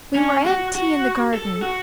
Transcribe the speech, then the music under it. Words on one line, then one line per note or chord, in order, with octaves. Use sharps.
We were at tea in the garden.
C#4
F#4
F#4
A4
F#4